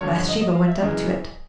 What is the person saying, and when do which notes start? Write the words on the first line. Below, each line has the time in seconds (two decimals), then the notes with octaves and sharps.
Bathsheba went up to it.
0.01 G2 D3 F3 C#5
0.15 C#5
0.28 D#5
0.41 D#5
0.55 F5
0.68 E5
0.82 F#2 C#3 E3 G#3 D#5